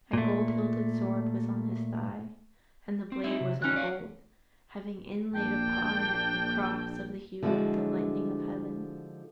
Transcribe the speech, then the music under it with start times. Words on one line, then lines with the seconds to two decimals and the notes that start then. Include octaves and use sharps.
A gold-hilted sword was on his thigh, and the blade was of gold, having inlaid upon it a cross of the hue of the lightning of heaven.
0.13 A#2 A3
3.12 C4
3.24 C4 D#4 E4
3.41 C3
3.62 D#3 F#3 C#4 D#4 F#6
3.76 D5 F5
5.33 A#1 A#3 D4 G5 A5
7.43 D3 F3 G#3 E4 F#4